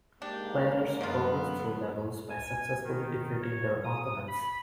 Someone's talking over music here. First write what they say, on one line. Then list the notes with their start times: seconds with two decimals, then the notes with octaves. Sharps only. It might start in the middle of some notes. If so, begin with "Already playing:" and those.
Players progress through levels by successfully defeating their opponent.
0.22 G#2 A#3 D4 G4
1.01 F#2 D3 B3 F4
2.30 G#5
2.84 D#3
3.42 C#5
3.84 D#6
4.28 B5